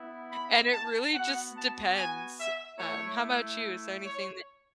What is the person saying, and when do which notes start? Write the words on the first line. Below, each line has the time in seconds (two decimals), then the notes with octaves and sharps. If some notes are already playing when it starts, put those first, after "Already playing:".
and it really just depends. Um, how about you? Is there anything that
Already playing: B3 E4
0.31 B5
0.72 A5
1.13 B3 F#4 F#5
1.55 A5
1.96 G#5
2.38 E5
2.79 A3 E4 C#5
4.03 C#5